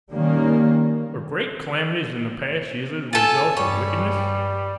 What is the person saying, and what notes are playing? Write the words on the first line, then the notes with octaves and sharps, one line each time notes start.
Were great calamities in the past usually the result of wickedness?
D#3 G3 A#3 C#4
F4 A4 G#5
G2 G3 C#5